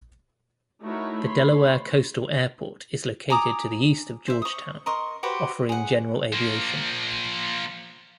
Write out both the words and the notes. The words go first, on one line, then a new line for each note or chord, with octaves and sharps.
The Delaware Coastal Airport is located to the east of Georgetown, offering general aviation.
A3 D#4 E4 F#4 A#4 C#5
C#5 B5 C6
G#5 A#5 D6 D#6
C5 E5
C#6 D#6
A#4 D#5 C6 C#6
F#4 G4 B4 C5
G#4 F#5
F3 A#3